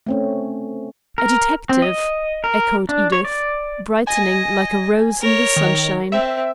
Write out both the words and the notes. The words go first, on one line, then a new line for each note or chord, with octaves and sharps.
"A detective!" echoed Edith, brightening like a rose in the sunshine.
A3 C4 C#4
A#4
C4
D#5
A#4
D4
C#5
D5
D#5 G#5
A#4 C#5
D#3
C4 E5